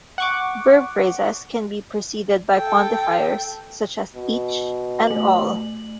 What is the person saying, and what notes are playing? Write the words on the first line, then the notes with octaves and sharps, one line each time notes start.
Verb phrases can be preceded by quantifiers such as "each", and "all".
F#5 C#6 D6
A4 G5
B2
A3 F#7